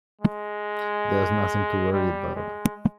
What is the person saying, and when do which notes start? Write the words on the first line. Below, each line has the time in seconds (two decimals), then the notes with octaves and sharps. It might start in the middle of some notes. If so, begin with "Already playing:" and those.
There's nothing to worry about.
0.21 G#3
1.93 G3
2.36 G#3